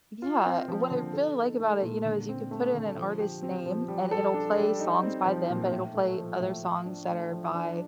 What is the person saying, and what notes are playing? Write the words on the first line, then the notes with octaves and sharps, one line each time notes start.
Yeah, what I really like about it, you know, is you could put in an artist's name and it'll play songs by them, but it'll play other songs that are by,
F4
C4
F3
D3
A4
D#4
A3
A#2
D3
C4
A3
D3
F3
G4
C4
F3
G3
A4
D4
G3
D#4
C4
F3
A#2
A2
A3
F3
A2
F3
D4
A3
F3
D4